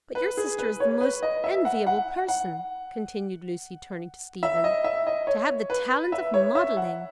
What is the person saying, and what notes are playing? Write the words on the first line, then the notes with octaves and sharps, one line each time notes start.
But your sister is the most enviable person," continued Lucy, turning to Stephen, "to have the talent of modelling.
B4
G#4
B4
C#5
B4
D#5
E5
F#5
F#5
F#5
E5
D#5
E5
D#5
C#5
B4
E5
C#5
E5
F#5